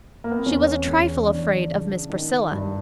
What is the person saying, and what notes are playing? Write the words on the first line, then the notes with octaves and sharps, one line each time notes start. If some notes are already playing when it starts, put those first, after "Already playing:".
She was a trifle afraid of Miss Priscilla.
A#3
B3
C4
E2 C#4
E2
E3 D4
C#3
D#3
G2